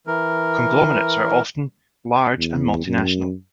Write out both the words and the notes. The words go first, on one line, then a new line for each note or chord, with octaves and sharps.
Conglomerates are often large and multinational.
E3 A#4
E2
F#2